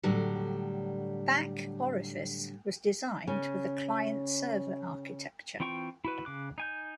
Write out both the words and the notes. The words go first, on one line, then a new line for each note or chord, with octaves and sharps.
Back Orifice was designed with a client-server architecture.
A2 D3 F#3 G3
C#3 C#4
E3 C4 F4 G5 C#6
E4 F#4 B4
C#3 D6 F#6
D#4 G#5 G6